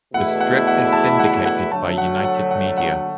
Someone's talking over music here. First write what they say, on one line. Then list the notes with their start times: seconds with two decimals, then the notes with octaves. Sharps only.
The strip is syndicated by United Media.
0.14 E2 B2 A3 E4 F#5
0.41 F#5
0.67 F#5
0.93 A5
1.19 F#5
1.46 F#5
1.72 D3 F#3 A3 A5
1.98 F#5
2.24 F#5
2.51 F#5
2.78 F#5